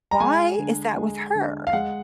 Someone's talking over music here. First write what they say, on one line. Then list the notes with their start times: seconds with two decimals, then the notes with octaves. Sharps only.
"Why is that with her?"
0.11 A#5
0.20 G#3 G#5
0.59 D3
0.97 G#3
1.35 D3
1.67 F5
1.73 G#3 F#5